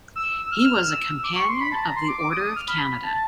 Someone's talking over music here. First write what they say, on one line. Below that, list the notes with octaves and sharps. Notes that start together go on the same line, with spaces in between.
He was a Companion of the Order of Canada.
E6
F6
E6
F6
E6
D6
C#6
C6
B5
A5
A#5
C6
D6
D6
D#6
D#6
F6
B5
A5